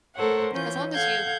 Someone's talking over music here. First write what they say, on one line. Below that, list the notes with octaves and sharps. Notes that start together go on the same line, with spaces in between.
as long as you
A3 A4 A#4 C5 C#5 F#5
E3 C#4 F4 C#5 G6
A4 F5 F#5 G6 G#6